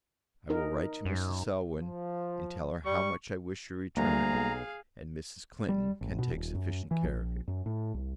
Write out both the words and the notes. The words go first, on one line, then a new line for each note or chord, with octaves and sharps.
I will write to Mrs. Selwyn, and tell her how much I wish your return; and Mrs. Clinton can take sufficient care of you.
D#4 A#4
F#2
F3
G3 C#6
D2 G3 A#3 G#4 F5 A#5
B1
G3
A1
B2
D#1
F#2
E3
A#1
F#2
A2
C2